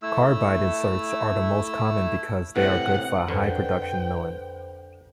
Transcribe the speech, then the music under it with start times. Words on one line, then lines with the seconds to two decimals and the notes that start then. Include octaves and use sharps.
Carbide inserts are the most common because they are good for high production milling.
0.02 A3 E4 E6
2.56 A2 C3 B4 F#5
3.28 F2 D3 B4 C5 G5